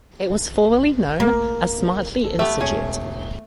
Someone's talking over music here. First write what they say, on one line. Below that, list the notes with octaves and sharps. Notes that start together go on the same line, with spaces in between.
It was formerly known as Smartly Institute.
A#3
A4
A3 B3 G4 E5
E1 C#4 G#4